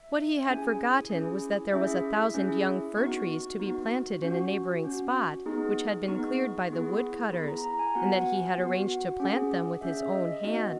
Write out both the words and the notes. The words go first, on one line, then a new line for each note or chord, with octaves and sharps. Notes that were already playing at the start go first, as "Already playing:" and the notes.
What he had forgotten was that there was a thousand young fir-trees to be planted in a neighboring spot which had been cleared by the wood-cutters, and that he had arranged to plant them with his own hands.
Already playing: E5
C#4 E4 G#4 G#5
C#4 E4 G#4
C#4 E4 G#4 E5
C#4 E4 G#4
B3 D#4 F#4 C#6
B3 D#4 F#4
C#4 F#4 C#6
C#4 F#4
B3 D#4 G#4
B3 D#4 G#4 C#6
B3 E4 G#4
B3 E4 G#4 B5
A#5
A#5
G#5
B3 F#4 F#5
B3 F#4
C#4 G#4
C#4 G#4 E5
E5
D#5
D#5
B3 D#4 F#4